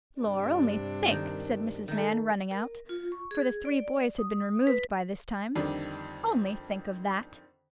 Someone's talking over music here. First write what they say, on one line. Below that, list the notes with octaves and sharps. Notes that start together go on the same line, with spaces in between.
'Lor, only think,' said Mrs. Mann, running out,--for the three boys had been removed by this time,--'only think of that!
G2 C3 D4
D#3
D#3 A3
A#4
F4
C#6
G#4
D5
D#6
B4
F2 D3 D#3 G3 D4